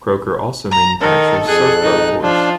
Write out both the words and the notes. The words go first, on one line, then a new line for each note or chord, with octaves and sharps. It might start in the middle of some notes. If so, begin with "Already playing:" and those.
Croker also manufactures surf boat oars.
A#5
D#3 A4 A#4
F2 G#4 F#6
D#4
F3 D4